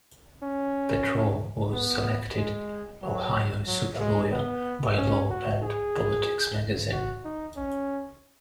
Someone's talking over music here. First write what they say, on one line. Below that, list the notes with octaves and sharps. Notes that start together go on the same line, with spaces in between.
Petro was selected "Ohio Super Lawyer" by Law and Politics magazine.
C#4
B3
G#3
F#3
F#3
G#3
B3
C#4
F#4
G#4
F#4
D#4
C#4